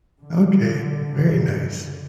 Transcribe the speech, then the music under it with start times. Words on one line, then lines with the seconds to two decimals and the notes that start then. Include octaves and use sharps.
Okay, very nice.
0.21 D3
1.09 F#2 C#3